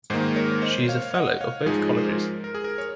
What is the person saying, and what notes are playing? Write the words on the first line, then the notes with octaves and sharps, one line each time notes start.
She is a Fellow of both colleges.
G#2 D#3 A#3 D#4 G#4 C5
A#4 C#5
C5 D#5
C#5 F5
D#5 F#5
C#5 F5
G#2 F3 G#3 D#4 G#4
C5
A#4
A#4
G#4
A#4
C#5